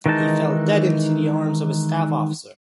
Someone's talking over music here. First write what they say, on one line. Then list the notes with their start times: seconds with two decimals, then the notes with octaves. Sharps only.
He fell dead into the arms of a staff officer.
0.06 D#3 E3 G#3 D#4 A5